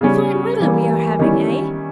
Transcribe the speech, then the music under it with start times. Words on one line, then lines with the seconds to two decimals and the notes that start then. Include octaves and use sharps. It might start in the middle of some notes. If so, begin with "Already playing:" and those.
Fine weather we are having, eh?
0.01 C#3 G3 C#4
0.60 E3 G3 A#3
1.19 D#3 G3 C#4 E4